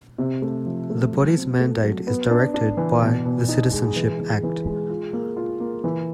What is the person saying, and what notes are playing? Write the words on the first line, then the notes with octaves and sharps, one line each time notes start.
The body's mandate is directed by the Citizenship Act.
C3
A3
F3
A3
F#3
C4
A3
F#3
B3
D4
D4
E3
B2
B2
D#4
G#3
E3
E3
E3
G#3
F4
A#3
F4
A#3
E3